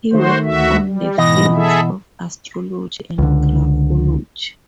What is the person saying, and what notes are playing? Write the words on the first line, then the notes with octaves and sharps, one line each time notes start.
He worked on the fields of astrology and graphology.
D#3 A3 F#4 C5
D2 F#4 E5
G3
G#2 B2 E3 D#5 A#6
G#4 A4 E5
C#2 D3